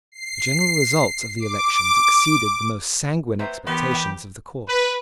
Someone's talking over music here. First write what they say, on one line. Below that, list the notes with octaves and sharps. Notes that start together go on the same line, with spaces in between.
The general result of the elections exceeded the most sanguine expectations of the court.
C7
D6
B4 C5 E5 A#5
E3 B3 G4 A#4 C#5 C6
B4 G5
B4